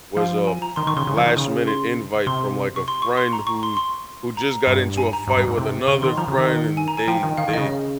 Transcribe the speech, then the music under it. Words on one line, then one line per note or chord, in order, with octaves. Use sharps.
was a f last minute invite from, like, a friend who's, who just got into a fight with another friend, and they they
F3 F5
G#5
A#5
D#3 C6
D#3 C#6
C#3 C6
C#3
F3
D#3
C#3
C6
C3 C6
C#6
C6
C#6
C6
A#5
C#6
C6
C6
A#5
G2
G#5
A#5
G2
G2
G#2
C3
C#3 C#6
D#3 C6
F3 A#5
C#3
D#3
G#5
A#5
G#5
F3 G5
D#3
D#3 F5
D#3
C#3 D#5